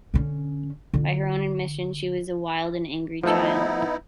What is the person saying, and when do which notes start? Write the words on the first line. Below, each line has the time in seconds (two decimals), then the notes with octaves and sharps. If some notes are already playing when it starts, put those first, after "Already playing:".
By her own admission, she was a wild and angry child.
0.14 D3 C#4
0.94 D3 F4
3.23 F3 A3 B3 D#4 E4 A4